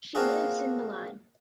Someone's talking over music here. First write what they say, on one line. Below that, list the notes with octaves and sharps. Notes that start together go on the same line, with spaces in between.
She lives in Milan.
A#3 C4 D4 F4 F#4 G#4